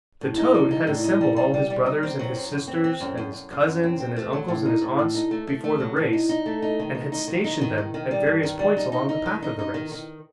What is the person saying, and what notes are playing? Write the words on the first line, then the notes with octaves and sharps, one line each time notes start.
The toad had assembled all his brothers and his sisters and his cousins and his uncles and his aunts before the race and had stationed them at various points along the path of the race.
A2
D#4
G3
D#4
A2
D#4
G3
G3
G3
G3
D#4
C4
F#3
F#2
F#2
C4
C4
F#2
F#2
F#2
F#2
F#2
C4
C4
A3
F#3
A2
D#4
A2
A2
D#4
A3
A3
A3
F#3
A2
D#4
D#4
A3
D#4
D#3
D#4
D#4
D#3
D#4
D#3
D#3
D#3
G3
G2
D#3
G3
D#4
D#4
D#4
D#3
D#4
D#4
D#3
D#3